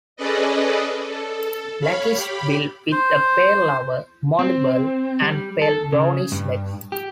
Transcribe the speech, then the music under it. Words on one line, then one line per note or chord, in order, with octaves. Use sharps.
Blackish bill with a pale lower mandible and pale brownish legs.
C#4 G#4 A4 B4 D5 D#5
A4
C#5 F5 B5
G4 B5
C5
C4
G3
A4
C#3
G2
G4